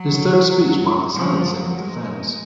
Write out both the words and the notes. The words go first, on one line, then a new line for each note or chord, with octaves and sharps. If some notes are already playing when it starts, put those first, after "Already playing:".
His third speech marked the silencing of the friends.
Already playing: F#3
F3
F#3
G#3